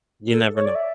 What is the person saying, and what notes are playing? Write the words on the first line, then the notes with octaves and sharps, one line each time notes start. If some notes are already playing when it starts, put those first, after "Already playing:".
You never know.
A4
C#5
D5
E5